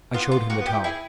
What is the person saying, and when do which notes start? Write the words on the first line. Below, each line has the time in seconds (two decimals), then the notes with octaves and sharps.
I showed him the towel.
0.14 B3 F4
0.31 F4
0.49 A#3 F#4
0.61 B3
0.66 G4
0.73 E4
0.84 E4 G#4